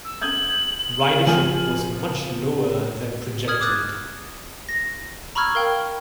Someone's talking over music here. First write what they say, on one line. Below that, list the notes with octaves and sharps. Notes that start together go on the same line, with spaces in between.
Ridership was much lower than projected.
E6
D#6 G6 G#6 F#7
F3 G#5 F6
D#6 F6 G#6 F#7
D6 D#6 F#6 G#6 A6
A#6
A#5 B5 C#6 E6 F6 G#6
A#4 F5 G5